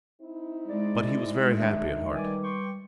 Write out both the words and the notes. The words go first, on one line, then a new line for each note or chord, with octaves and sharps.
But he was very happy at heart.
C4 D#4 E4
G#3 D5
D#3 D4 E5
G3 B4 D5 G#5 D6
G5 C6 C#6